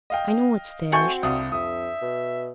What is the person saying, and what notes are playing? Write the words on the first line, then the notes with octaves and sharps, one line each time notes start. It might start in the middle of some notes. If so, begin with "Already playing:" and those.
I know what's there.
D#5 F5 G5
A3 C4 F#4 G#5 C#6 G6 C#7
C2 D3 F3 G3 D#6
F2 E5 D#6
B2